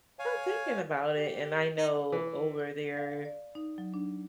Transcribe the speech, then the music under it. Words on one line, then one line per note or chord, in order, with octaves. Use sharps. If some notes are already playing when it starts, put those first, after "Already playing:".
I'm thinking about it, and I know over there
C#5 F5 G#5
G4
D#4
E3
F5
D5
D#4
F#3
D4